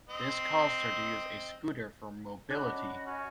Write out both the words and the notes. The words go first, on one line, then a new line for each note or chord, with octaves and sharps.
This caused her to use a scooter for mobility.
C4 D#5
C#4 D4 F#4 D#5 B5 F#6
C#4